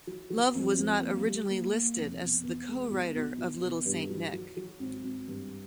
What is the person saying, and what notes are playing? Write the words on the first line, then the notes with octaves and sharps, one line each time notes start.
Love was not originally listed as the co-writer of "Little Saint Nick".
F#3
F#3
F2
F2
A#3
G3
A#3
A#3
F1
B2
E2
G#3
B1
B1
B1
B2
G2
F#3
F#3
F#3
G#1
G#1
G2